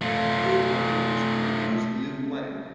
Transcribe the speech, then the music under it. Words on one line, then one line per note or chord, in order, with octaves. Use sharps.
The third member of his crew was Liu Wang.
A3 F4